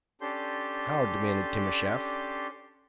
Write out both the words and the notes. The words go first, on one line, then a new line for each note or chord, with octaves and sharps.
"How?" demanded Timascheff.
C#4 D4 G4 A4 C6 G6